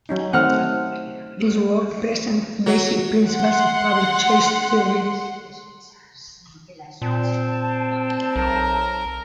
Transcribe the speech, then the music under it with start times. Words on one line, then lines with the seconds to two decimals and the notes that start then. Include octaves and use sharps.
This work presents the basic principles of public choice theory.
0.09 F#3 C#4 D#4
0.33 D#3 A3 C4 F#5 F6
2.66 F#3
3.28 F#5 C6
7.02 A#2 C4 A5
8.36 B1 A#4